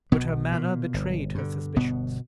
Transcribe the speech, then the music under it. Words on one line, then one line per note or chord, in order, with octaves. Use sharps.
But her manner betrayed her suspicions.
B1 B2 B3
A#2
G1
G2 D3
G1 B2 B3